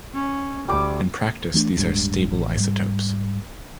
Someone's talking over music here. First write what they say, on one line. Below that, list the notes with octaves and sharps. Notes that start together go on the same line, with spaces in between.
In practice, these are stable isotopes.
C#4
D2 G3 D6
E3 A3 C#4 D4
D1 G2 G#3
A1
G#2 G3